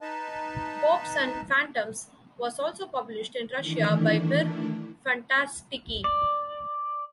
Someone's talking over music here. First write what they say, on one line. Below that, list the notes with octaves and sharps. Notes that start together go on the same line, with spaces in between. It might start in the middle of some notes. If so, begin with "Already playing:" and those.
"Popes and Phantoms" was also published in Russia by "Mir Fantastiki".
D#4 B4 D#5 A5
D#3 E3 A3 D4 E4
D5